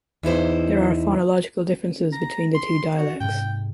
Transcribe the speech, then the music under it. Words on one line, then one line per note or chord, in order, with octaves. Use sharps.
There are phonological differences between the two dialects.
E2 D#4 E4 C5
A#5
C6
F#4
G#2 C3 G5